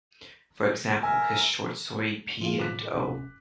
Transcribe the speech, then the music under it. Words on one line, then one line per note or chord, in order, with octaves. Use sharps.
For example, his short story, P. and O.
A#4 E5 G#5
F3 A3 F4 G#4 F5
A2 D6 F#6 B6
D1 C3 C#4